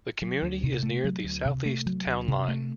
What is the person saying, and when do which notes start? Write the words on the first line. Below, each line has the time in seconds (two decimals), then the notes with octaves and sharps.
The community is near the southeast town line.
0.22 F#3
0.42 D2
0.63 C3
0.83 A3
1.04 F#3
1.24 D2
1.45 C3
1.65 A3
1.86 F#3
2.06 D2
2.28 C3
2.48 A3